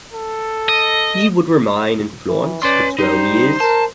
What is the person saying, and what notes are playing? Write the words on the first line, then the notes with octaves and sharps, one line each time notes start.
He would remain in Florence for twelve years.
A4
D#5
E3
C#4 B4 D5 C6
G3 D#4 C5
A#4 A5